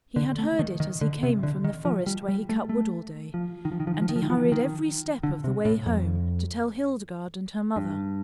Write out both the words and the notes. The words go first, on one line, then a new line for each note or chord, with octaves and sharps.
He had heard it as he came from the forest where he cut wood all day and he hurried every step of the way home to tell Hildegarde and her mother.
D3
A3
D#3
D#3
D3
C3
D3
D#3
F3
G3
G3
A3
A3
F3
D#3
F3
D#3
F3
D#3
F3
D#3
F3
D#3
F3
D#3
F3
D#3
D3
C3
A2
F2
G2